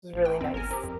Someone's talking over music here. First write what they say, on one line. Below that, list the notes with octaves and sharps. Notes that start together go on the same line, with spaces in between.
really nice,
A1
G5
F2 C4
G1 A#4 G#5
C4 G4
F2